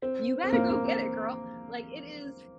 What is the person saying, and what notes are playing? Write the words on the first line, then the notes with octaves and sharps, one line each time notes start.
you gotta go get it, girl, like, it is
C4
C4
A#3
A#3
C4